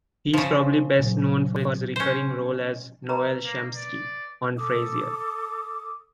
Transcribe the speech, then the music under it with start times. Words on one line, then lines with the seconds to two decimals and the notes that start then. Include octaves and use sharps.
He is probably best known for his recurring role as Noel Shempsky on "Frasier".
0.34 C#3 F3
0.99 A#2 F#3
1.96 C#4 C5
3.09 B4 A#5
3.45 A#3
3.76 D5
4.57 A4 D6 D#6